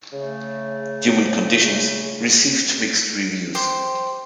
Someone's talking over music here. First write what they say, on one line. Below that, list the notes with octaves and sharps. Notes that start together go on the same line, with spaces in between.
"Human Conditions" received mixed reviews.
C#3 A3
G4 C5 C6